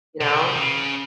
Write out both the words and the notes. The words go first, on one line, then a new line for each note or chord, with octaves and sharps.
you know?
C3
D#3
C#3